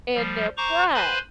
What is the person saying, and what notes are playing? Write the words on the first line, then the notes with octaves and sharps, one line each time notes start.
and their pride.
F3 G3
C5 A#5 C#6 D6
B4 C5 G#5 B5 C6